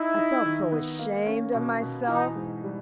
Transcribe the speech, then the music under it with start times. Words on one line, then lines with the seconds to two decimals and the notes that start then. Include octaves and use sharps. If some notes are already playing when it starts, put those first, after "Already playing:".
I felt so ashamed of myself.
Already playing: D#4 E4
0.19 D#4
0.46 D#3
0.72 B3
0.99 A#3
1.27 C#4
1.54 B2
1.81 B2
2.08 E3 D#4
2.35 G#2
2.63 G3